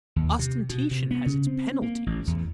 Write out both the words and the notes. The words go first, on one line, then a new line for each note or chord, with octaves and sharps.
Ostentation has its penalties.
D#2
C3
B2
C3
B3
C#3
C4
A#3
A1
E2